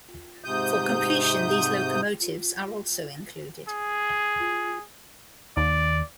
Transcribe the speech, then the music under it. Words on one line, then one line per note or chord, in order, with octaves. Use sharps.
For completion these locomotives are also included.
G#2 C3 D#6 G6
G#4
D#2 D5